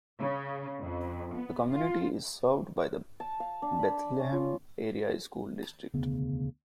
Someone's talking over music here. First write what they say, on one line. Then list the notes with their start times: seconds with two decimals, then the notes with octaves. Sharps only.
The community is served by the Bethlehem Area School District.
0.20 C#3
0.82 F2
1.36 B3
1.70 F4
3.20 A5
3.40 F5
3.62 D4
3.79 B5
4.19 C#4
4.32 F4
5.94 E1 D2 C#3 B3